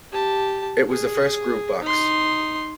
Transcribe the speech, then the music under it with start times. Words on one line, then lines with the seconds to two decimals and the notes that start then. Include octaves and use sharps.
It was the first groovebox.
0.12 G4 A5
0.89 G#4
1.82 D#4 C6